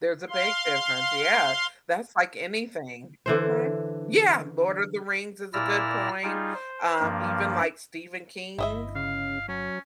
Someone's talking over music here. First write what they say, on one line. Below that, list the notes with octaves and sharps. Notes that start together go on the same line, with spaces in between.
There's a big difference, yeah, that's like anything, mhm Yeah, Lord of the Rings is a good point, um, even like Stephen King's,
F5 C6
D3 E3 C5
A#2 E4 D5 E6 F6 A#6
G3 D#4 F4 G#4
C5
G2 F3 A#3
G1 E4 D#5 E5
C#3 F5
F#3 C#4